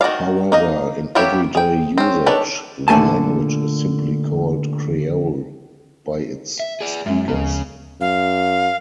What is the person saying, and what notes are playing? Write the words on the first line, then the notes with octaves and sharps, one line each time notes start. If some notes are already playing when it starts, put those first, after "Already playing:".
However, in everyday usage the language is simply called "Creole" by its speakers.
D#3 F#4 A#4 D5 F5
A#3 D#4 D#5
F#3 A#3 B3 E4 G4
G#4 G5
C4 C#4
D#3 D4 A4 B4 C#5
A#2 D3 A3 G#5 A5
E5
G#4 D5
F#2 G#3 E5
D2 C#3 F3 B3
F#2 F5